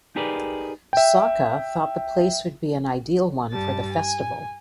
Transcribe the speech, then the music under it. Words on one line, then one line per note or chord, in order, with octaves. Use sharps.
Sokka thought the place would be an ideal one for the festival.
D#4 G4 G#4 A#4 B4 D5
E5 G5
G2 G3 A5 A6
G#5